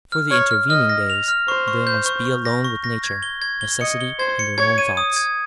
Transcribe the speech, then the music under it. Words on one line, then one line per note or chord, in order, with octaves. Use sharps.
For the intervening days they must be alone with Nature, necessity, and their own thoughts.
F6
C#5 F6
F6
D#5 F6
A#6
F7
F6
C5 C#6
C#6
G6
C#6
C#6
A#6
C#6
A#6
G#6
G7
G#6
G7
D#5 C#7
G7
C5 G#6
C#7
C#5 G#6
D#7
D#6
G#6